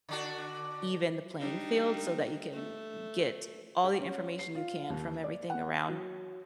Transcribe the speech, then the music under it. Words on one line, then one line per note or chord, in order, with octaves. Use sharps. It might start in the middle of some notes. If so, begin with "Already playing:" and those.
even the playing field so that you can get all the information you can from everything around
D3 D4 F#4
G3 D4 D#4
A3
G4
C#4
C7
F4
D#2
D5
F#5
F#3